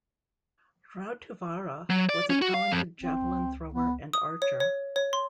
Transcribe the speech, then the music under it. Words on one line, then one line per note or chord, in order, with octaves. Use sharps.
Rautavaara was a talented javelin thrower and archer.
F#3
D5
C#4
F#4
F5
F2
G1 C4
C#2
B3
D#6
C#5
C#5
C#5
C6